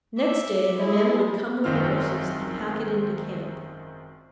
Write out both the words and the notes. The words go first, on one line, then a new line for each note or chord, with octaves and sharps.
Next day the men would come with the horses and pack it in to camp.
E5 D6
G#3 E4 G#4
G#1 F#2 D#3 C4 F4 F6